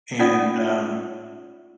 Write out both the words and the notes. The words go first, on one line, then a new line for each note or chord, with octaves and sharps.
and, um,
C#4 D#4 F4 D5 F#5 D#6